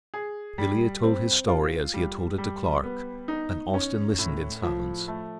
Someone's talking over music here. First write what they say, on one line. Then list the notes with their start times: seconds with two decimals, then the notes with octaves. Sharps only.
Villiers told his story as he had told it to Clarke, and Austin listened in silence.
0.14 G#4
0.58 G3
1.03 C4
1.48 F4
1.94 G3
2.38 G3
2.84 B3
3.28 D#4
3.74 C#4
4.19 A2
4.63 F3
5.08 A3